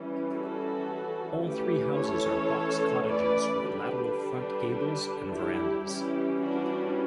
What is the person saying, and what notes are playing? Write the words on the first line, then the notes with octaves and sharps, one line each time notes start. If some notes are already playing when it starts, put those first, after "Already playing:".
All three houses are box cottages, with lateral front gables and verandahs.
Already playing: E3 G3 C#4
F#4 A4
E3 A3 C#4 G4 B4
A4 C#5
B4 D5
D3 G3 D4 G4 B4
G4 B4
E4 G4
E3 G3 C#4 E4 G4
D4 F#4